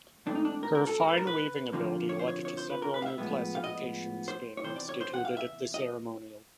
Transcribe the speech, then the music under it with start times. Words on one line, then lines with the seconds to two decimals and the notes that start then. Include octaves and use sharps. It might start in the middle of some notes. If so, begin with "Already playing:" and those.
Her fine weaving ability led to several new classifications being instituted at the ceremonial.
0.26 G#2 E3 A3 C4 D4
0.35 D#4
0.45 D4
0.63 A#4
0.75 A#4
0.87 A4
1.00 A#4
1.09 B4
1.17 A#4
1.27 B4
1.72 F2 D3 F3 A#3
2.09 C#5
2.19 C5
2.28 C#5
2.45 C#5
2.57 C5
2.70 B4
2.82 A#4
2.94 B4
3.02 F5
3.06 E5
3.18 A2 F3 G#3 B3
3.55 F5
3.64 D#5
4.28 C5
4.57 C#5
4.64 E2 C3 E3 C5
4.76 D5
4.89 C#5
5.01 C5
5.14 F#5
5.25 F5
5.37 E5
5.74 D#5